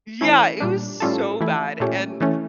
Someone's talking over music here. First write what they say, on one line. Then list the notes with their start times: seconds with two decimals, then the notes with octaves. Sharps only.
Yeah, it was so bad, and,
0.21 E3 A3 C#4 E4
0.60 A#2 G3 D4
1.00 A2 G3 C#4 F4 A4
1.41 E3 A3 E4
1.80 A#2 A3 C#4 G4
2.20 E3 A3 C#4